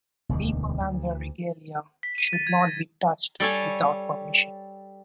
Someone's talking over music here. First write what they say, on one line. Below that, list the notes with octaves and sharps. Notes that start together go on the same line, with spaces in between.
People and their regalia should not be touched without permission.
E1 D2 D#3
D2
B6
D#7
A6
G#6
A#6
G3 A4 C#5 G#5